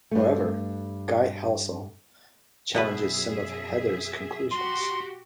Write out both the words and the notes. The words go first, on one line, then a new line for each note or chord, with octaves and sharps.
However, Guy Halsall challenges some of Heather's conclusions.
G2 A3
F#2 B2 B3 G#4 B4 E5
F#4 G4 C6